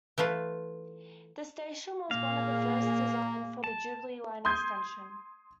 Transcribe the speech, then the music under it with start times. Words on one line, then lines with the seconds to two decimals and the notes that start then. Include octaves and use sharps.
The station was one of the first designed for the Jubilee Line Extension.
0.18 E3 A3 F4 B4
2.11 A#2 A#3 G#4 A#4 F5
3.64 A5
4.45 C6 D#6 G6 G#6